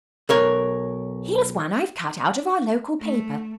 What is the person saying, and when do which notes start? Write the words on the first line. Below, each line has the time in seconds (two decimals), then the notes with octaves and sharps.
Here's one I have cut out of our local paper.
0.29 B1 A#4 C#5
3.00 A3